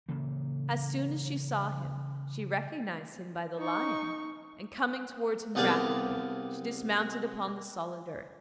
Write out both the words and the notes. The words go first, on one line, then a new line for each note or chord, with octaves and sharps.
As soon as she saw him, she recognised him by the lion, and coming toward him rapidly, she dismounted upon the solid earth.
C#3 E3 A#3
D#4 C#6
C2 B3 G4 G#4 D5 F5